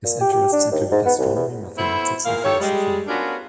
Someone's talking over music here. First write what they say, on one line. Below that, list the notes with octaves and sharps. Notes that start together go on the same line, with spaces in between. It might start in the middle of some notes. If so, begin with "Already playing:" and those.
His interests included astronomy, mathematics, and philosophy.
A#2
G4
G4
D4
D#2
G#2
B3
C2
E2
B3 E4 A4 C5
E2 A#2 A#4 F5
D#3 G4 A4 C#5
G3 G#3
B3 C#4 D4 F4 F#4 A#4